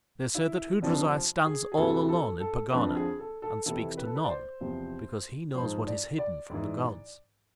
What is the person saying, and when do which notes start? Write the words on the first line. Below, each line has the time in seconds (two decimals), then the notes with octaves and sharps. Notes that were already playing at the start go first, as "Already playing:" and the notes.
They say that Hoodrazai stands all alone in Pegana and speaks to none because he knows what is hidden from the gods.
0.35 E4
0.82 F2 C3 F3 D4
1.46 G#4
1.72 G#4
1.77 D2 C3 E3 A4
2.09 A4
2.40 A4
2.72 F2 D3 F3 B4
2.96 G#4
3.19 A4
3.42 A4
3.66 F2 C3 E3 A4
3.97 B4
4.06 A4
4.15 B4
4.24 D5
4.29 C5
4.61 E2 C3 F3
5.55 G#2 F3 C5
5.87 D5
6.18 D5
6.50 G#2 E3